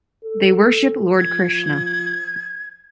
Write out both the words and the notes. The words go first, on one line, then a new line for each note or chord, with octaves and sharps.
They worship Lord Krishna.
A4
F3 G#6